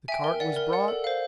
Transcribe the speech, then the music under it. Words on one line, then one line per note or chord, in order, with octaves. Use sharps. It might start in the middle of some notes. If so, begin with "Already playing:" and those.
The cart was brought.
E5 G5 G#5
A#4
D5 F#5
A#4
D5 F#5
A4
C5 F5